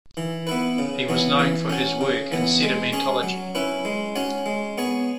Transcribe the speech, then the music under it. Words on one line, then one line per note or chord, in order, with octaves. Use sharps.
He was known for his work in sedimentology.
E3
B3 E4 B4
C#3
E3 B3
E3
C#4 F#4
C#3
E3 B3
G#3
C#4 G#4 C#5
F#3
C#4 E4 B4
G#3
C#4 F#4 C#5
G#3
B3 G#4 C#5